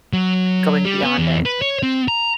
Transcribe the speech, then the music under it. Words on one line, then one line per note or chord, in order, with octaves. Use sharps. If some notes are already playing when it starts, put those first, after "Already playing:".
going beyond it.
F#3
G3
B3
E2
B4
C#5
C4
A#5